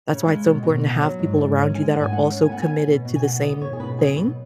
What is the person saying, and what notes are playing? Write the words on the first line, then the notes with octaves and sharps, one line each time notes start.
that's why it's so important to have people around you that are also committed to the same thing,
C#3
G#3
B2
B2
B3
F#3
G#2
G#2
C#4
G#3 G#5
G#2 F#5
G#5
G#2 F#5
C#4
G#5
B3 F#5
G#5
B3
B2
B2
G#5
B3 F#5
B3 D#5
B2 C#5
G#4
B2 B4
F#3 G#4
B2 B4